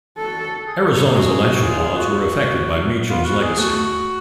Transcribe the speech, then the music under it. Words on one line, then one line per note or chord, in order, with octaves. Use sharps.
Arizona's election laws were affected by Mecham's legacy.
F#4 A4
G#4
A4
A4
G#4
F#4 G#4
G#4
F#4
F4 G#4
G#4
F#4
B3 F4
F#4
G#4
A3 F#4